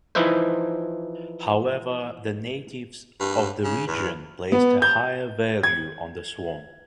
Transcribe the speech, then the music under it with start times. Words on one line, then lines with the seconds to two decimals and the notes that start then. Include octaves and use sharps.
However, the natives of the region placed a higher value on the swamp.
0.15 E3 F3 D#4 E4 B4 C5
3.20 G2
3.64 C#3
3.87 E2
4.52 B3
4.82 G6
5.63 G#6